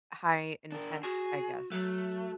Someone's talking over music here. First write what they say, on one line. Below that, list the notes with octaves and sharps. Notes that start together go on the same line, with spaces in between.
high intense, I guess.
D4 A#4
F#4 G#4
F#3 A3 F#4